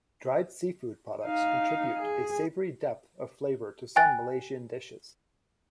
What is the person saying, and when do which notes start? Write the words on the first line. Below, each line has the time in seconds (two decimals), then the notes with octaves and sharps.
Dried seafood products contribute a savoury depth of flavour to some Malaysian dishes.
1.25 D#4 F5
1.98 G#4
3.96 G5 G#5 F#6 A6